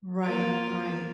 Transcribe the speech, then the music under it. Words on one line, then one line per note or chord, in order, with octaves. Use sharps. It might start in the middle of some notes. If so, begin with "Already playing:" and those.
Right, right,
A#3 F4